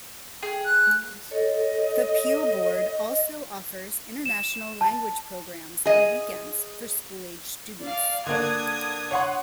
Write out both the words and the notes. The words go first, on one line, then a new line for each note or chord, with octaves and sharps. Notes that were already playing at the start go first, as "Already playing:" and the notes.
The Peel board also offers International Language Programs on weekends for school-aged students.
G#4
F#6
A4 C#5 D#5
E7
A5
G#4 D#5
D5 F5
D3 A#3 D4 D#6 G#6
C#5 F#5 C6